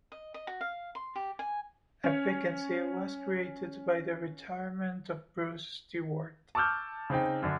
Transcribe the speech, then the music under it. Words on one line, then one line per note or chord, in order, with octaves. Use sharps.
A vacancy was created by the retirement of Bruce Stewart.
D#5
D#5
F#4
F5
C6
G4
G#5
C#4 C#5
A5 C#6 D6 E6 F6 G6
C#3 C4 D#4 G5
F#2 D3 D4